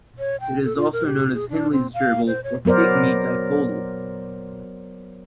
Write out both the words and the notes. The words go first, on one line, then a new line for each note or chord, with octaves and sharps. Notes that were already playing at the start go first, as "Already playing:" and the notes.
It is also known as Henley's gerbil or pygmy dipodil.
C#5
G5
A4
F4
A#4
G4
G#4
D4
C4
F5
C5
C#5
F#3 B3 A#4 C5 D5